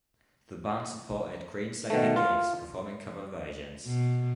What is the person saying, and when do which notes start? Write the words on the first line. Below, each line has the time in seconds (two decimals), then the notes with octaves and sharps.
The band supported Greenslade at gigs, performing cover versions.
1.90 B2 D#3 A3
2.16 F4
3.86 B2